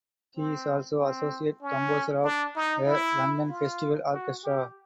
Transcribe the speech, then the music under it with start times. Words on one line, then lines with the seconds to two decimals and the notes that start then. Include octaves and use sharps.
He is also Associate Composer of the London Festival Orchestra.
0.36 C4
0.99 C4
1.62 C#4
2.24 D4
2.56 D#4
2.86 E4
3.49 F4
4.13 F#4
4.43 G4